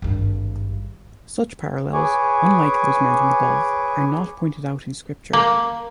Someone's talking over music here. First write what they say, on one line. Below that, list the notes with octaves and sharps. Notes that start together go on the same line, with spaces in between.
Such parallels, unlike those mentioned above, are not pointed out in Scripture.
G#1 G2
G#4 B4 C#5 G#5 C#6 D6
A#3